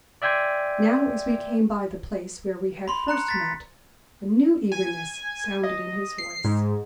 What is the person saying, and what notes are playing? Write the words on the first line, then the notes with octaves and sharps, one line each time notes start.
Now, as we came by the place where we had first met, a new eagerness sounded in his voice.
D5 E5 G5 G#5 C6
B5 C6
A#5 F#6 C#7
A6 B6
G#5
D#5
C7
G#2